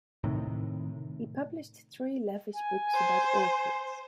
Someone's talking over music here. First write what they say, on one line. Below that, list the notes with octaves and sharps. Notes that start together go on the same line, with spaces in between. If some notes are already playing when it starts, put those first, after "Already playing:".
He published three lavish books about orchids.
A2 C3 D#3
G#5
C5